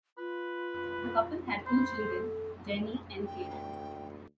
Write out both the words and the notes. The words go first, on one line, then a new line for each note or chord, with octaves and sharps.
The couple had two children, Jennie and Kate.
F4 B4
C5 B5
A4
D2 G5